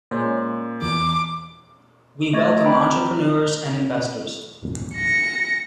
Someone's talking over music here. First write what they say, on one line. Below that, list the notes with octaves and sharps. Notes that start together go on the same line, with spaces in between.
We welcome entrepreneurs and investors.
A#2 G#3 C#4 C5
E2 D6
A3 D#5 C#6 G#6 A6
C4 G5 A#5 B5
F6
A#6 C#7